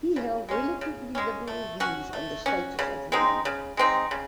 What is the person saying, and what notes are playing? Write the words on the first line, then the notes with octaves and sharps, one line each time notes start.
He held relatively liberal views on the status of women.
C#3
G#3 C#4
C#3
G#3 C#4
A3
C#4 F#4
A3
C#4 F#4
C#3
G#3 C4 D#4
C#3
G#3 C4 D#4
C#3